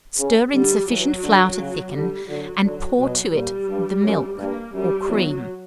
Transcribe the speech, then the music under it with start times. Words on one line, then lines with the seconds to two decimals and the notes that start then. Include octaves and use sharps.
Stir in sufficient flour to thicken, and pour to it the milk or cream.
0.18 C#3
0.52 D3 G3
0.88 E3 F#3
1.23 D3
1.58 C#3
1.93 D3 G3
2.28 D3 F#3
2.63 D3 F#3
2.98 B2 F#3
3.33 A#2 G3
3.68 G2
4.04 F#2
4.38 G2 A#3
4.73 F#2 G3
5.08 E2 F#3